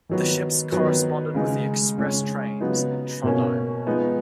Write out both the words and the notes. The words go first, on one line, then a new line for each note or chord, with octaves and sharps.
The ships corresponded with the express trains in Trondheim.
D#3 F#3 B3
D#3 F#3 B3
C#3 G#3 D#4
C#3 G#3 C#4
C#3 F#3 B3 D#4
B2 A#3 C#4
F3 G#3 B3 D#4